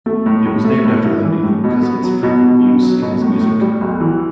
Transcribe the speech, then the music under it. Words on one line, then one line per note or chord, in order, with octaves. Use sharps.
It was named after Landini because of its frequent use in his music.
A3
A2
A2
A3
A2
E4
E3
A2
B2
B3
F#3
B2
B2
B2
F#3
B2
A2
A2
G3
B1
E3